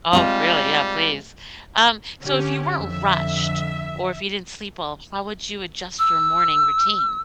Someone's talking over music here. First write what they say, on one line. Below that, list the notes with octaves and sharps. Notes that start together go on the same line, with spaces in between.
Oh, really? Yeah, please. Um, so if you weren't rushed or if you didn't sleep well, how would you adjust your morning routine?
G3 G#3 C4 F4
D3 C#4 G4
F2 D3 E5
E6